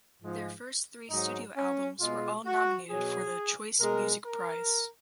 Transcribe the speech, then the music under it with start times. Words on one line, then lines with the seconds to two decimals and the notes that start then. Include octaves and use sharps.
Their first three studio albums were all nominated for the Choice Music Prize.
0.20 G#2 F3 G#3
1.10 G#2 F#3 D#4
1.56 C#4
2.01 B2 G#3 F4
2.46 F#4
2.91 B2 F#3 G#4
3.80 B2 G#3 A#4
4.25 A#4